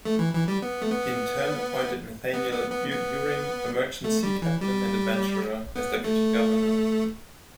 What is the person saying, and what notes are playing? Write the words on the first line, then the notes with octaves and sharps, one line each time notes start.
He in turn appointed Nathaniel Uring, a merchant sea captain and adventurer, as deputy-governor.
A3
E3
E3
G3
B3
A3
B3
B3
B3
B3
B3
A3
G3
E3
G3
B3
A3